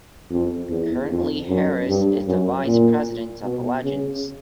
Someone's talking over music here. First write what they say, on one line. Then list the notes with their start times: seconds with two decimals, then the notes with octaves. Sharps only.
Currently Harris is the Vice President of the Legends.
0.31 F2
0.70 E2
1.09 F2
1.48 F#2
1.87 G2
2.27 F#2
2.65 A#2
3.44 B2
3.83 C#3